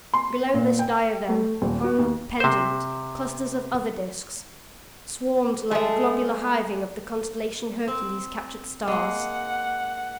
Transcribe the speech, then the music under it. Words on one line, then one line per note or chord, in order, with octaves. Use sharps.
Below this diadem hung, pendent, clusters of other disks, swarmed like the globular hiving of the constellation Hercules' captured stars.
C6
A#2
G5
A3
D#1
F#4
D#2
C3 C5
G#3 A3
C4
G#3 A#3 F#5